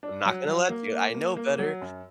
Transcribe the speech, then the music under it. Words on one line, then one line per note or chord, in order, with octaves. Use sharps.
I'm not gonna let you, I know better."
D4
F#3
F#3
A#3
A#3
A#3
A#3
F#3
F#2